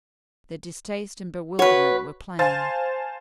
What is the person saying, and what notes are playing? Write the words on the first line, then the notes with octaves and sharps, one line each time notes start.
Their distaste and bewilderment were plain.
F#4 B4 C#5
C5 F5 G#5 A5 A6